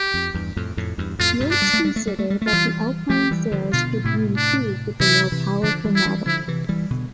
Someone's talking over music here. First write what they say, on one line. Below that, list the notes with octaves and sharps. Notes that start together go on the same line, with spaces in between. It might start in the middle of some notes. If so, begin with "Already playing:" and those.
Rootes considered that the Alpine's sales would be improved with a more powerful model.
Already playing: G4
F2
E2 G2
F2 A2
F2 A2
E2 G2
F2 A2 F4
G2 B2
D4
G3
A3
G3
A3
G3
A3
G3
A3 F4
E3 G3
F3 A3 G4
E3 G3
D3 F3
B2 D3 F4
A2 C3 E4
D4
C3 E3 E4
C3 E3
D3 F3 D4
E3 G3
E4
E3 G3
D3 F3 E4
C3 E3
E3 G3
B2 D3